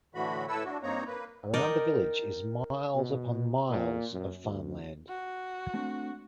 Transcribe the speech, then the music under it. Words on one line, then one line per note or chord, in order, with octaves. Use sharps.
Around the village is miles upon miles of farm land.
A2 D3 E3 F#4 B5
A2 E4 A4 B4 E6
D4 F#4
G2 A#3 C4 D#4 C#5 A#5
A#3 B4
D#4 A#4 D5 D#5 G5
B2
A#2
F#2
D2
F#4
A3 C4 D4